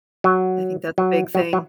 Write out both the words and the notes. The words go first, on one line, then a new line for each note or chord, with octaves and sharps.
I think that's a big thing.
F#3
F#3
F#3
F#3